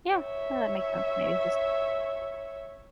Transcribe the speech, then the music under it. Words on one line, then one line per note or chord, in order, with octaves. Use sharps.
Yeah. No, that makes sense maybe just
C#5 E5